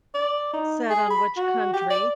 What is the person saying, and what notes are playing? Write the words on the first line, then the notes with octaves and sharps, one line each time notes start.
set on which country,
D5
D#4
G#4
B5
F#4
G4
D5